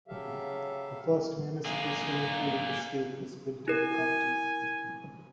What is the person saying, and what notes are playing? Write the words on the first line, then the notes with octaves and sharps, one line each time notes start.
The first municipal swimming pool in the state was built in the county.
C#3 F#3 G4 A4 E5 F5
A#3 G#4
E4 A#4 G#5